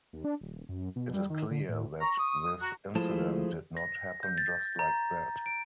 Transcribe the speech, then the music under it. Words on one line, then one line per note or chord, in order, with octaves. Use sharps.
It is clear that this incident did not happen just like that.
D#2
D4
D#1
F#2
B2
G3
D#3
D3
A2
A#5 C#6
D#6
F#4 A#5
F3 G#3 A3 E4 C5 A5
A#6
G6
A6
A#5
D7